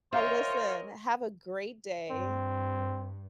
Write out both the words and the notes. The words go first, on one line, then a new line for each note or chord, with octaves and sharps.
Well, listen, have a great day.
F4 A#4 C5 C#5 D#5 E5 G5 C6
G2 C4